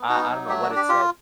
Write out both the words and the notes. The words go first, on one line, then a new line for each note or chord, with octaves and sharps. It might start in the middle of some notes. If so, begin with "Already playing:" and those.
I I don't know what it said.
Already playing: B3
D#4 F#4
F#3
A3 G4
F#4
D4
G4
F4 G4